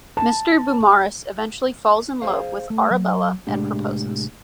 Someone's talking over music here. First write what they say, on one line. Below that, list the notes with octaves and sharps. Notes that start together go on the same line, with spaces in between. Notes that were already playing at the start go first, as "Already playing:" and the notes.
Mr Beaumaris eventually falls in love with Arabella and proposes.
A5
G#4 C5 F5
A3
F#3
C2 A2 G#3 D4 G4